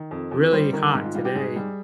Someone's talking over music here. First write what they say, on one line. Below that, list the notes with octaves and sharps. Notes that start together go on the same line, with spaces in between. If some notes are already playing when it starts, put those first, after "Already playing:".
really hot today
Already playing: D#3
F2
F2
G3 C5
D#3 A#4
G#2
F4
G3 F4
G4
G#2 G#4
G3